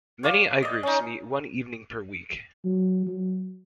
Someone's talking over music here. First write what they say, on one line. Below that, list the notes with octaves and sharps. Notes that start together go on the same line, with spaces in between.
Many I-Groups meet one evening per week.
C#5 F5 D6
D5 D#5
C#4 D#4
F#3
F#3